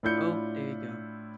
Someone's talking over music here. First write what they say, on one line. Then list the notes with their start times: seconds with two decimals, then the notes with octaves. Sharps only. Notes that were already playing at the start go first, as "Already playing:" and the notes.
Oh, there you go.
0.03 A2 D4 E4 F4 G6 C#7